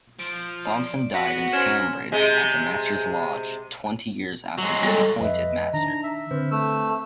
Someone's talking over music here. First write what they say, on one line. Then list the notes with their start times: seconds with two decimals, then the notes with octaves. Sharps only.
Thompson died in Cambridge, at the Master's Lodge, twenty years after being appointed Master.
0.20 F3 D7
0.72 D5
1.14 B3 F#4 A#6 B6 F#7
1.53 C#4 C5 F6 G#6 E7
2.12 C3 G#3
4.58 F#3 G#3
4.83 G3 A4
5.20 F2 B4 D#5 E5
5.73 D#3 D4 A#5
6.03 E5
6.31 D3 C4 B4 C5
6.51 A3 E6